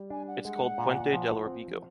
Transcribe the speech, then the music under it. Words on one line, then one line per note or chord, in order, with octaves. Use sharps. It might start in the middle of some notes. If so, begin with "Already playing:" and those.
It's called Puente del Órbigo.
Already playing: G3
D4 G#5
F#5
G#3 F#5
A#2
F3
C4